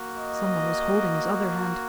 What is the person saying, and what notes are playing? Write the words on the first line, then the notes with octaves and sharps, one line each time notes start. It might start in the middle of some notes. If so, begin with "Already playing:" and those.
Someone was holding his other hand.
Already playing: A#3 F#4
D#5